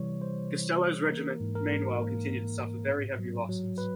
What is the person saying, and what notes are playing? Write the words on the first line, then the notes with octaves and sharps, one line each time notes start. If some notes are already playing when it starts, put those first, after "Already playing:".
Gastello's regiment meanwhile continued to suffer very heavy losses.
Already playing: C3 E3 G3 C#5
G3 C5
E3
E3
A#3 A#4
G#2
A#4
G#2
A#3
G#2
G#2
A2
F#3
F#3
B4